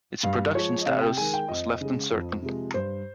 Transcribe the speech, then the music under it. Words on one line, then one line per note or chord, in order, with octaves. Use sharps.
Its production status was left uncertain.
G2 F5
F3 G#3 C#5
D#5
C3 F5
G5
D#3 G#3 G#5
G5
F2 D#5
C#3 G#3
F2
C3 F3 G#3
G2 C5